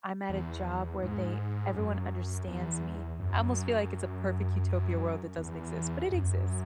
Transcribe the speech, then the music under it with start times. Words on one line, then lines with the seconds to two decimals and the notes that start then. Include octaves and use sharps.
I'm at a job where they everyone understands me, I almost feel like it's a perfect utopia world that doesn't exist, but it exists.
0.29 E2
1.02 G#2
1.75 F#2
2.47 E2
3.20 F#2
5.37 E2
6.10 F#2